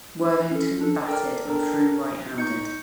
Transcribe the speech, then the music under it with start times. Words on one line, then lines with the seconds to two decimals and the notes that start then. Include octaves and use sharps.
Worthington batted and threw right-handed.
0.52 C#4 A4
0.81 D4 A4
1.08 A4 A#4 D5 G5 F6
1.45 D4 A4 A#4
2.38 D#4 C#6 G6 C#7